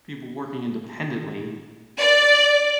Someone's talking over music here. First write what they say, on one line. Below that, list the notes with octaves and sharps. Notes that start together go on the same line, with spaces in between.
people working independently,
D5